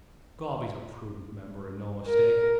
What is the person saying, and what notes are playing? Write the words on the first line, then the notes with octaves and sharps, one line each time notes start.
Gob, he's a prudent member and no mistake.
A#4